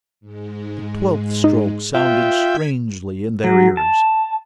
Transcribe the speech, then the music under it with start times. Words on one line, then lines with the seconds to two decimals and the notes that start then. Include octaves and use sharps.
The twelfth stroke sounded strangely in their ears.
0.20 G#2 G#3
1.44 D#4
1.94 F4 B4 D5 E5 G5
2.24 G#6 B6
3.44 F#3
3.77 A5